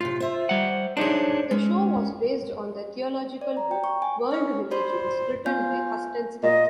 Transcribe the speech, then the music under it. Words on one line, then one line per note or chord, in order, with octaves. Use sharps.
The show was based on the theological book, "World Religions", written by Huston Smith.
A2 C3 F4
C5 E5
G3 F#5
D4 D#4 G#4 C5 C#5
G#3 C#4
D5
A#5
G5
C#6
G#5
C#4
C5 D5 B5 C6
B3 F4 G#5 G6
A#2 D#5